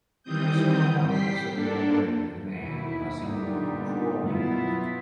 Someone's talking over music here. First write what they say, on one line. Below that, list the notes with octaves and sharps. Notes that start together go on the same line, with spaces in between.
Chris Cornell also collaborated with the band by singing on "Crawling".
D#3 E3 G3 C4 D#6 G6
G3 G5 B6 C7
A#3 D4 A4
D#2 B2 E4
A#2 D3 G3 B3 D#4
F#2 B2 B3 E4 F4